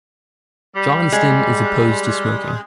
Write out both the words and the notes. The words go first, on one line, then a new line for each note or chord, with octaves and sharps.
Johnston is opposed to smoking.
G3
G#3